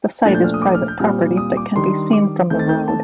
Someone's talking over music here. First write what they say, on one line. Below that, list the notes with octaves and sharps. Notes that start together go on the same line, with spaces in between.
The site is private property but can be seen from the road.
A#2 F3 A3 D4 A6
G6
F6
D#6
D6
F6
G6
A#2 G3 C4 F6
D#6
D6
D#3 G3 D4 C6
D6
D#3 A3 C4 G6
A6
G6
A5